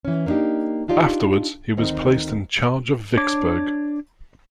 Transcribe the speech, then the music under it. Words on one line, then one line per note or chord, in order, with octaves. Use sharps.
Afterwards he was placed in charge of Vicksburg.
E3 C#4
A#3 B3 D4 D#4 G4
D4 D#4 F4 G4 D5
D2 D#3 C4 D#5
D4 C#5 D6